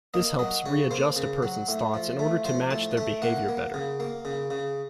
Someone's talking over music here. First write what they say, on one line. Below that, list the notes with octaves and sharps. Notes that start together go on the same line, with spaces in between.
This helps readjust a person's thoughts in order to match their behavior better.
A#3 D#5
F#3 D#5
C#3 C#5
A#3 C5
C#3
F#3
A2
F3
A3
F3 C5
A2 A5
A3 A5
A#3 F#5
A#3
C#3
A#3
C#3
C#3